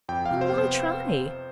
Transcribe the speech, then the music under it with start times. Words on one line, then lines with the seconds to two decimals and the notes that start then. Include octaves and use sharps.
Then why try?
0.09 F2 G5
0.26 F5
0.31 C3
0.41 C5
0.52 B3
0.58 C5